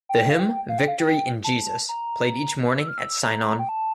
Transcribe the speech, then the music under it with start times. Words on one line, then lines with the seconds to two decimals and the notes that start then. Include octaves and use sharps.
The hymn "Victory in Jesus" played each morning at sign-on.
0.09 G5
0.30 F5
0.39 G5
0.69 F5
0.79 G5
0.88 F5
0.99 G5
1.44 A5
1.89 A#5
2.78 E6
2.88 F6
2.98 E6
3.23 A#5
3.59 G5
3.69 A5